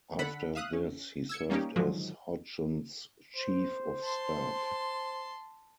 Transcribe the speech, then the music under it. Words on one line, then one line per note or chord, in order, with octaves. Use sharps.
After this, he served as Hodgson's chief of staff.
D3 A4 F#5 B5 B6
E5 F5 D#6 F#6
C#4
E6 G#6 C#7
G3 A#3 C#4 D#4 G4
G#2 D3 D#3 F3 F#3 G#3
C5
A5 C6